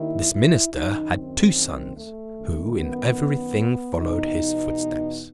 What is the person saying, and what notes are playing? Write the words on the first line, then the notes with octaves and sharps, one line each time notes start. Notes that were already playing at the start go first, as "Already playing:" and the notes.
This minister had two sons, who in every thing followed his footsteps.
Already playing: D#2 D#3 E4
E4
F#2 D#3 D#4
C4
A3
F#2 D#3
B3
E2 B2 D#4